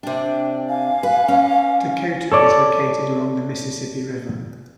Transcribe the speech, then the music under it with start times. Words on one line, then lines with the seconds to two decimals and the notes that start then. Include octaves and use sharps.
Dakota is located along the Mississippi River.
0.03 C3 D4 G5
0.68 F5 G#5
1.03 B4
1.28 C#4
2.32 A4 C#5 D5